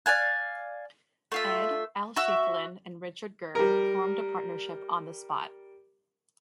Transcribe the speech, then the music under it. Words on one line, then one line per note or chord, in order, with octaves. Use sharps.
Ed, Al Schieffelin and Richard Gird formed a partnership on the spot.
D5 F5 G#5 F#6
A3 F4 E5
F#4 E5 E6
G3 A#4